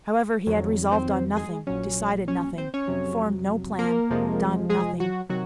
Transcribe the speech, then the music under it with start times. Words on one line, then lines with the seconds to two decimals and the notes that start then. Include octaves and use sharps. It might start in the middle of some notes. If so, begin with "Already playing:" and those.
However, he had resolved on nothing, decided nothing, formed no plan, done nothing.
0.47 F2 D#3 F#3
0.91 C4 C5
1.37 G#3 G#4
1.67 A#1 A#2 F#3 C#4 C#5
2.28 C#4 C#5
2.58 C4 C5
2.74 C#4 C#5
2.88 F2 C3 F#3
3.79 A#3 A#4
4.10 F2 C3 F3 G#3
4.70 G#3 G#4
5.00 F#3 F#4
5.29 C3 D#3 F#3 F#4